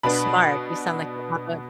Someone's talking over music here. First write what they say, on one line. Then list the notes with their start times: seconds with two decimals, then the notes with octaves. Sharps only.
Smart. You sound like you have a
0.03 B2 B3 D4 B5